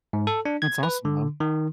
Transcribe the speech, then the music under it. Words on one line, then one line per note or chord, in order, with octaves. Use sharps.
That's awesome though.
G#2
A4
D4
G#6
B4
D3
D#3